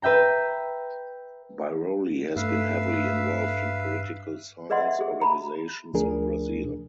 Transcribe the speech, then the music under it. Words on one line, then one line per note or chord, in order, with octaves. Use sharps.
Biroli has been heavily involved in political science organizations in Brazil.
B4 E5 G5 A#5
G2 A3 B4 E5 F5
G#4 B4 D5 D#5 F#5 C6
E5
G4 G#4
A#5 B5
D2 F3 A3 D4 G#4 A#4